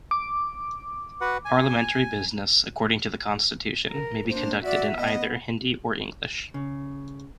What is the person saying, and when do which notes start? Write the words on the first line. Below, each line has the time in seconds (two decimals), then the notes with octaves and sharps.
Parliamentary business, according to the Constitution, may be conducted in either Hindi or English.
0.11 D6
1.21 F#4 B4 F#5
1.45 G#5
3.90 A#4
4.29 A#3 D4 C5
4.65 F#4 D5 E5
4.98 B3 D#5
6.54 C#3